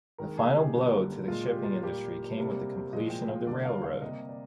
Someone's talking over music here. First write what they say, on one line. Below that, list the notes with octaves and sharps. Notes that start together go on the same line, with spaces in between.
The final blow to the shipping industry came with the completion of the railroad.
D#3 G#3 A#4
G#4
G4
D3 G3 A#3
A#2 G#3 F4
G4
F4
A#2 G3 A#3 G4
C3 G3 A#3
A#2 F3 G#3 D#5
G5
F5
D3 G3 A#3 D5
F5
F5
C3 G3 A#3 D#5
D5